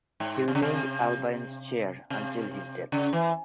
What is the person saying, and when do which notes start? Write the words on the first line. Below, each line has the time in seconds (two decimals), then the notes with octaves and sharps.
He remained Albion's chair until his death.
0.20 G#2
0.48 C3
0.55 C#3
0.62 C3
2.10 C3
2.92 C#3
3.13 E3